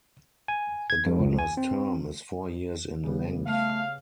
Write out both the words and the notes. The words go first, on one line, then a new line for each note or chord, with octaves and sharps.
The governor's term is four years in length.
G#5
G#6
F2
C#2
G#5
C4
C#3 G3 B3
A3 F5